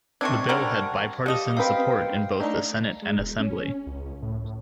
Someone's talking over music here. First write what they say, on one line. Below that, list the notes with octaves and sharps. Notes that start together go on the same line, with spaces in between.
The bill had bipartisan support in both the Senate and Assembly.
C3 D#3 C4 D4 C#6 G#6
D3 G3 A#4
F3 G4 D#5 D#6
C4 G4 B4 F5 G5
A3 D4 D#4
G#3
E1
C#4
C#2
A2
A2